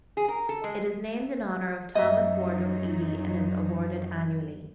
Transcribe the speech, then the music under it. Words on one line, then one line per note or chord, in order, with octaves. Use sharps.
It is named in honour of Thomas Wardrope Eadie and is awarded annually.
G#4
A#4
A4
G#3
F#2 F#3 D#4 D#5 E5